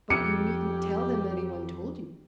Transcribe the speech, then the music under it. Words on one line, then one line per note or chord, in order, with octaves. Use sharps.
"But you needn't tell him any one told you."
F2 G4 D6 C#7 D#7